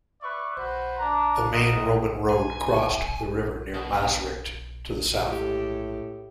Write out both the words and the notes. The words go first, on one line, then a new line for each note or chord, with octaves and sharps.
The main Roman road crossed the river near Maastricht, to the south.
B4 D5 E5 C#6
F#4 B4 C5
D4 A#5
B3 C4 A#4 D#5
G#5
B2
A2 G#3 G4 A4